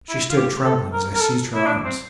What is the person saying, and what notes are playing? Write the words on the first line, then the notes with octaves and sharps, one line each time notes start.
She stood trembling as I seized her arms.
E4
F4
G4
A4
A#4
A#4
A4
E4
D4
C4